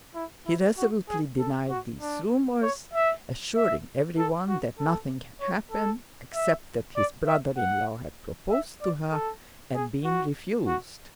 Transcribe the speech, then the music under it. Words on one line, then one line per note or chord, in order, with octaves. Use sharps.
He resolutely denied these rumors, assuring everyone that nothing had happened except that his brother-in- law had proposed to her and been refused.
E4
E4
F#4
G#4
A4
F#4
D4
C#5
E5
E5
A4
F#4
A4
C#5
A4
E5
D5
E5
F#5
E5
D5
A4
G#4
F#4
F#4